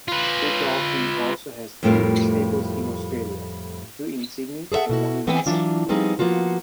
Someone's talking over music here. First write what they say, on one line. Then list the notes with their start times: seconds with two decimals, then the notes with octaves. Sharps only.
Godolphin also has three stables in Australia, two in Sydney and one in Melbourne.
0.08 F4 B4
1.83 F2 A2 G3 A3 F4 A#4
4.72 G#4 A4 B4 E5 F#5
4.89 B2 E4 F#4
5.27 E3 B3 C4 E4 G5 G#5
5.46 E3 F#3 D4 F4
5.89 F3 G3 B3 C4 D#4 G#4
6.19 F3 A#3 B3 F4 F#4